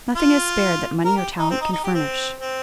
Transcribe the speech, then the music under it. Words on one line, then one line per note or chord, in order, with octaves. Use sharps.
Nothing is spared that money or talent can furnish.
F4
A#4
G4
D#4
C4
D#4
D#4
G4
C4
C4